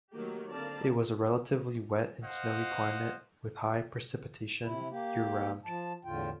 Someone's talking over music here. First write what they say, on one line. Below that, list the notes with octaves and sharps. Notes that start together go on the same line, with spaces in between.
It has a relatively wet and snowy climate with high precipitation year-round.
D#3 F#3 A3 A#3 F#4 G4
D3 C4 A#4 D5 F5 A5
C5 D#5 F5 F#5
C3 E4
A#3 G4
F3 A5
E2 A2 D3 F4 G5